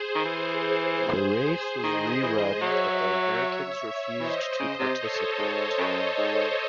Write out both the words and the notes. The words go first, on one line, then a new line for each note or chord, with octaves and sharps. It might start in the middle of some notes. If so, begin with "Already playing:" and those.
The race was re-run, but the Americans refused to participate.
Already playing: G#4 C5
D#3
E3
G#4 C5
D#3 C5 D#5
E3
F#3 C#5 E5
E3 C5 D#5
C#3
C3
A4 C#5
G#2
F#2
G#2